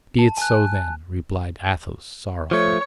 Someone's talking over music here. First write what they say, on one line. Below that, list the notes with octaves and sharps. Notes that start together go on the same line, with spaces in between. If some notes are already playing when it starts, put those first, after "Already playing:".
"Be it so then," replied Athos, sorrowfully.
A5
G#5 F#6
F3 A3 C#5